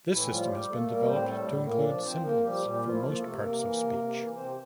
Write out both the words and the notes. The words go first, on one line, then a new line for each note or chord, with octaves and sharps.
This system has been developed to include symbols for most parts of speech.
A2 E3 E4
F3 G3 F4
G3 G4
A3 A#3 A4
G3 A#3 A#4
A2 C4 C5
G3 A3 A4
A2
A#2 A#3 A#4
F3 D4 D5
F3 C4 C5
A#3 A#4
F3 G3 G4
A#2 G3 G4
F3 A#3 F4
E4
F3 A#3 F4
C3 A3 A4
C3 A#3 A#4
E3
C3
C3
E3
C3 C4 C5